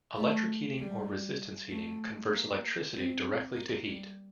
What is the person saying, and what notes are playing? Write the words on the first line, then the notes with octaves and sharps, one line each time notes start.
Electric heating or resistance heating converts electricity directly to heat.
A3
G3
A3
A#3
C4
A#3
G3